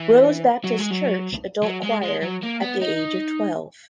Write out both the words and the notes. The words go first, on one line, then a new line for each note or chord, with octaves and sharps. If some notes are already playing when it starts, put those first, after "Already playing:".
Rose Baptist Church adult choir at the age of twelve.
Already playing: E3
F#3
G#3
F#3
F#3
G#3
G#3
F#3
A#3
B3
D#4